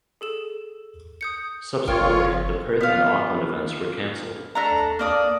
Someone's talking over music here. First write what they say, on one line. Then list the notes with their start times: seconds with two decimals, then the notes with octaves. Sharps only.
Subsequently the Perth and Auckland events were cancelled.
0.21 G#4 A4 E7
1.21 D#6 G6 C#7
1.88 F#1 F2 F4 A#4 C#5 G5 F6
2.81 B3 F4
4.55 A3 D4 A#5
4.99 A#3 D5 D#6